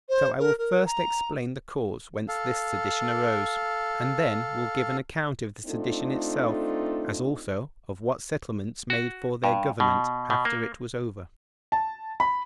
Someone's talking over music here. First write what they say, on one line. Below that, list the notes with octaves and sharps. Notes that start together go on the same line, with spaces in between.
So I will first explain the cause whence this sedition arose, and then will give an account of the sedition itself; as also of what settlements made for their government after it was over.
C5
A#4
A#4
A#5
A4 F5
A3 C4 D4 D#4 F4 A4
F#4
G2
B2
B2
A#3
A5
B5